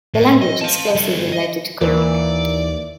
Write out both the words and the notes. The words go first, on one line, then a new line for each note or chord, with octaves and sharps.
The language is closely related to Kumyk.
A2
D#5
F5 A5
G3 A4
D#5
D#2 E3 A#4 D5